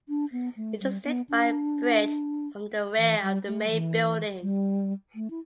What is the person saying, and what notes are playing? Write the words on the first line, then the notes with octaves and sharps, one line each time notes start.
It is linked by a bridge from the rear of the main building.
D4
B3
A3
G3
B3
D4
E3
G3
A3
G3
E3
G3
A3
E4